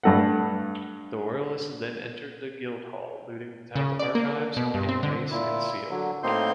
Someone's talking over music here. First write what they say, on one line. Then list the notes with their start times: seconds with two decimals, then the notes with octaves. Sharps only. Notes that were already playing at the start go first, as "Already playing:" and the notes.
The Royalists then entered the Guildhall looting the town's archives, and mace and seal.
0.03 G2 A3 F#5
3.76 C#3
3.99 D5
4.15 A#3
4.56 B2
4.74 G2
4.89 C4
5.03 D3
5.31 A#2 E4
5.91 D3 F#3
6.23 A2 A#3 C4 D#4 C6 G6